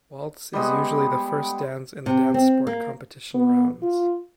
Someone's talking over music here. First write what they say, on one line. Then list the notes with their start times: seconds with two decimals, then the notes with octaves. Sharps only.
Waltz is usually the first dance in the Dancesport competition rounds.
0.53 G3 G#3 B3
2.06 C3
2.34 C4
2.67 A#3
3.34 B3
3.82 F4